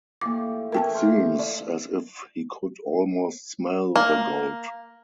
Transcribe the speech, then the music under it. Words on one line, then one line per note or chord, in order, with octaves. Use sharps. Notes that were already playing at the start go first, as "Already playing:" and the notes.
It seems as if he could almost smell the gold.
A2 F3 A#3 G4 D6
E3 A3 C#4 A#4 G5 A5
C5 F5
D5
A#3